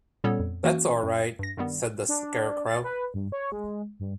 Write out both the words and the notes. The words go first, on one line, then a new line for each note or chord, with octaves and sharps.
"That's all right," said the Scarecrow.
A#2 G3 B3 C#4 A4 C#5
F2
E3 A#3 C#4 F#4
F#2
G2 A#6
G2 D#3 G3 B3
D4
A6
B4
G2
C#5
G#3
G2